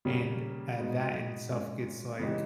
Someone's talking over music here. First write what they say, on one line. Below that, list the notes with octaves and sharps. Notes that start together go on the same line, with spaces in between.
And, uh, that in itself gets, like,
C#3 G3 A#3 C#4
B2 G#3 B3 D#4
A#2 G#3 C#4
C#3 E3 G#3 D#4 G4